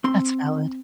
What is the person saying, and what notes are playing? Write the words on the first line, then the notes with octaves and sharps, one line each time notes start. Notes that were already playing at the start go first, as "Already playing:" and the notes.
That's valid.
C4 C6